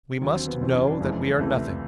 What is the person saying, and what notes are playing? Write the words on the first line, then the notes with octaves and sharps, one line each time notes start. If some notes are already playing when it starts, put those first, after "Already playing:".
We must know that we are nothing.
D#2 D3 F#3
C4
B3
F#1 E2 B2 C4
C#4
D4
F#1 F2 C#3 E3 G#3
C#2 C3 E3 A3